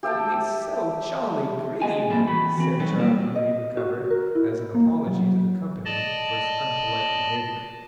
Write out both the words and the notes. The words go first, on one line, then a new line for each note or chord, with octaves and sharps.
'He is so jolly green!' said Charley when he recovered, as an apology to the company for his unpolite behaviour.
G4 E5 G5 A5
A3 G#4 D#5 G#5
F3 G3 A#3 C4 E4 A4
E3 F#4 B5
E3 C4
F#3 G3 B3 D#4 A4 C#5
G3 A#3 C4 F4
D#5
F#4
A#4
E4
A#3
F#3
D5 D#5 A5